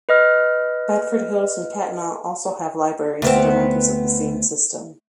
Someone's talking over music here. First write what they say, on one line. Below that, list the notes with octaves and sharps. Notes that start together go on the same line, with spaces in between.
Bedford Hills and Katonah also have libraries that are members of the same system.
B4 D#5 F6
D2 B3 C4